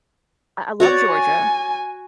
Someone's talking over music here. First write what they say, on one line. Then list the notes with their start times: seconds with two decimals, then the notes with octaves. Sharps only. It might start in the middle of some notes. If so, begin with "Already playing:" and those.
I I love Georgia,
0.80 F#4 C#5 D5
1.13 G#5